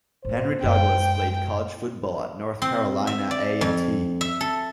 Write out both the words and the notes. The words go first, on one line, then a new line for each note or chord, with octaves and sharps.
Henry Douglas played college football at North Carolina A and T.
A2 A#3 C5
F#2 G#3 G5
C4
E5
D5
F2
E5
A4